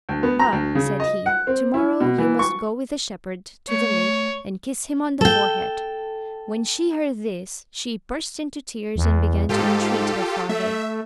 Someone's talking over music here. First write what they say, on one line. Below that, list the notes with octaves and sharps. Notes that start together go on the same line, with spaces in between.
"But," said he, "to-morrow you must go with the shepherd to the lake and kiss him on the forehead." When she heard this she burst into tears and began to entreat her father.
D2
B3
A#5
D2
C#3
D#5
F#5
C4
E4
B2
E3
C#6
A3 C#5
A4 G5
E2
G#2 F4 G4 A4
A3 E5